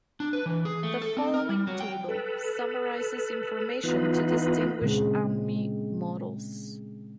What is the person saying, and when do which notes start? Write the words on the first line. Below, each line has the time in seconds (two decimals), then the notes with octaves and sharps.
The following table summarises information to distinguish Ami Models.
0.20 D4
0.33 B4
0.46 E3
0.65 G#4
0.83 A3
1.02 A4
1.17 C4
1.34 A#4
1.49 G3
1.67 F#3
1.80 G5
2.09 A4 B4
3.84 E3 B3 D#4 F4 B4
4.82 A#2 C#3 G#3 C4